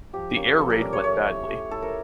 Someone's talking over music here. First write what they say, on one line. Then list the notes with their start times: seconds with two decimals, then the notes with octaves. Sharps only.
The air raid went badly.
0.13 F3 G4
0.36 A#3 C#4
0.58 F3 A4
0.70 A#4
0.81 A#3 C#4 D5
0.93 C#5
1.04 A3 C#5
1.26 E4
1.49 A3
1.71 E4 A4
1.82 A#4